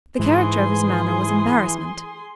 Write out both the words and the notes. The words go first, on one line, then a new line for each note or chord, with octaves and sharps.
The character of his manner was embarrassment.
G#2 E3 G#4 C6